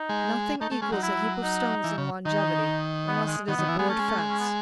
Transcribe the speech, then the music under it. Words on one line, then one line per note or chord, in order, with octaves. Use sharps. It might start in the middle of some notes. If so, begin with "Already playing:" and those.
Nothing equals a heap of stones in longevity, unless it is a board fence.
Already playing: D#4
G#3
A3 D#4
A3
G#3 C#4
F#3 D#4
E4
D#4
E3
C#3
D#3 D#4
B3
G#3
D#3 B3
D#3
E3
G#3 B3
A3 C#4
G#3
A3
G#3
C#4
B3